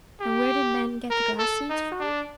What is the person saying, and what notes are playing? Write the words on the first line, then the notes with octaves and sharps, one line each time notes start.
And where did men get the grass seeds from?
G4
A#4
A4
D#4
D4